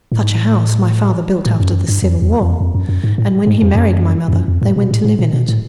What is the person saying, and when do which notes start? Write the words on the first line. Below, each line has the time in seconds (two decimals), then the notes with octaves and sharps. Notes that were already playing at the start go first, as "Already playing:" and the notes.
Such a house my father built after the Civil War, and when he married my mother they went to live in it.
0.12 A2
0.22 G#2
0.35 A2
1.45 A2
1.60 F#2
1.69 G2
1.74 F#2
1.88 G2
2.02 F2
2.22 E2
2.41 F2
2.61 F2
2.75 F#2
2.89 F#2
3.04 G#2
3.18 A2
3.47 G#2
3.62 F2
3.75 F#2
4.28 F2
4.33 F#2
4.48 F2
4.62 A2
4.76 B2
4.91 A2
5.04 A2
5.19 A#2
5.33 B2
5.49 A2